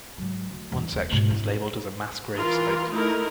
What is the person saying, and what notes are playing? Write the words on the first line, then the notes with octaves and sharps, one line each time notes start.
One section is labelled as a Mass Grave site.
G#2 F#3
D2
E2 G2
D#1 B3
G#2 B2
G#1 E4
E3 F4 A#4
A3 D#4 E4 A#4